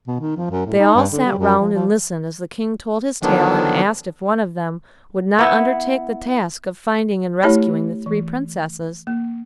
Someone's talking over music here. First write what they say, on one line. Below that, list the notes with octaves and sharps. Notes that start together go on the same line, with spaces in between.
They all sat round and listened as the King told his tale and asked if one of them would not undertake the task of finding and rescuing the three princesses.
B2
D#3
F3
F#2
A2
D#4
G2
D3
G3
F#2
F3
F3
D3 D#3 F3 F#3 B3 D4
B3 E4
A3 E4 G4 C#5 A5 B5
E3
A#3